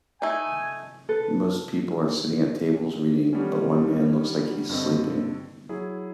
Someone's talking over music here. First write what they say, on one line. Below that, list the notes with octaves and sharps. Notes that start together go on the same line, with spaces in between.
Most people are sitting at tables reading but one man looks like he 's sleeping.
A3 D#4 G#5
A4 B4
D#3 E3 G3 A3 B3 C#4
G2 D3 C4 A4 D#5
F#3 E4 G#4